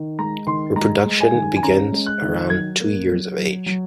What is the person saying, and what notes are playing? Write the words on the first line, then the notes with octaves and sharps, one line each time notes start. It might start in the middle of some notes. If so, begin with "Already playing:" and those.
Reproduction begins around two years of age.
Already playing: D#3
G#3 A#5
D#3 C6
G#3 A#5
G#3
G#5
D#3
G#5
C#4 A#5
G#3
F#6
D#3
F#3 G#6
A#3
F#3
F#3
F#3